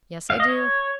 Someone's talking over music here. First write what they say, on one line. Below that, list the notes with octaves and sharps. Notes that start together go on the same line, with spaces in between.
"Yes, I do."
F5
D#5
C#5